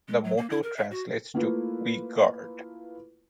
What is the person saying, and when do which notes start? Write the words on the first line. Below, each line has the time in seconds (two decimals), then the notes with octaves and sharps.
The motto translates to We Guard.
0.08 G#3
0.24 F#3
0.37 A#3
0.50 E4
0.63 A#4
0.76 E5
0.91 F#4
1.34 A3 A#3 E4 F4 B4